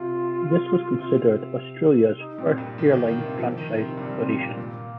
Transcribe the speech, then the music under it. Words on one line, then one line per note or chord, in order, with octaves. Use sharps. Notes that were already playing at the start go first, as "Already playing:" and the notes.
This was considered Australia's first airline franchise operation.
Already playing: C3 F4
C3
D#4
A#2 C4
G2
D#3 A#3
D#3
D#3
C3
F3
D#3
D#3
C3
G2 G3
C4
A#2 A#3
A#2 A#3